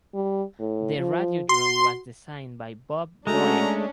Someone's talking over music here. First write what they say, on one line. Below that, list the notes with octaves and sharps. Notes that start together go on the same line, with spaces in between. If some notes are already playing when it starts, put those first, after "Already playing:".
The radiodrum was designed by Bob Boie.
G3
A2
F3
F#4 C6
G#3 A3 C#4 D4 F#4 A4 A#5